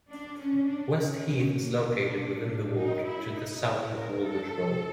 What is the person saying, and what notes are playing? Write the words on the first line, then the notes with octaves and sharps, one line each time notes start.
West Heath is located within the ward to the south of Woolwich road.
D4
C#4
D4
C#4
C#4
A#3
D4
D#4
E4
D#4
E4
A#4
A4